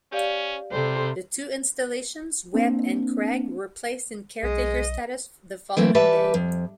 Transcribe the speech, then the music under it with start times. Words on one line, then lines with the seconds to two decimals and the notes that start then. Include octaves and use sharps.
The two installations, Webb and Craig were placed in caretaker status the following day.
0.12 C#4 G4 D5 F5
0.71 C3 G3 A4 C5
2.53 A#3 C4 D4
4.43 B1 G#3 D#5
5.77 E3 F#3 A3 A#3 C4 E4
5.95 E3 G3 G4 B4 E5 A5
6.34 F2